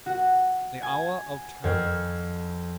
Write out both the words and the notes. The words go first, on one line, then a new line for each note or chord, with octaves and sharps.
The hour of Toad!
F#4
G#5
F2